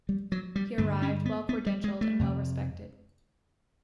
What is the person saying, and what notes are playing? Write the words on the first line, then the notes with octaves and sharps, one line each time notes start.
He arrived well-credentialed and well-respected.
G3
F#3
G3
G2 D3 A3
C#4
B3
B3
G3
G#3
A3
F2 C3